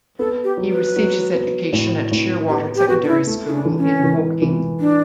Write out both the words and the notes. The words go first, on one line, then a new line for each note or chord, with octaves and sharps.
He received his education at Sheerwater Secondary School, in Woking.
B3 A4
G4
F#3
B4
F#3
B3
A2
A2
B3 G4
G4
B3 F#4
D4
E4
A3
E4
D4
E3
C#4
E3
E3
D4